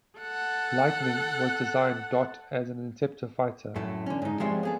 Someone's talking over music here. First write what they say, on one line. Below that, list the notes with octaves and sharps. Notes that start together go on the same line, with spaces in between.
Lightning, was designed.. dot as an intercepter fighter.
A4 F#5
F#2 A2 A3
D3 C#4
G#2 D#4
F3 G3 G#3 C4 C#5 E5
B3 G#4 A4